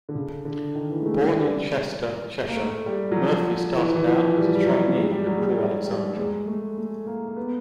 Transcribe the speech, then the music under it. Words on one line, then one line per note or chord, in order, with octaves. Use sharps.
Born in Chester, Cheshire, Murphy started out as a trainee at Crewe Alexandra.
D3
C#3
D3
D#3
E3
G#3
A3
G3
G#3
G3
A#3
A3
G3
F#3
F3
E3
E3
F3
G3
G3
F#3
G#3
G3
F#3
G#3
G3
G#3
G3
G#3
A3
A3
A#3
A#3
B3